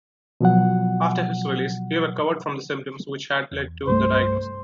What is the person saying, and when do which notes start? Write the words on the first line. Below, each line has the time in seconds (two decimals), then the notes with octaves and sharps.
After his release, he recovered from the symptoms which had led to the diagnosis.
0.41 B2 F3 F#3 F#5
3.52 E2
3.88 C2 G2 A3 C5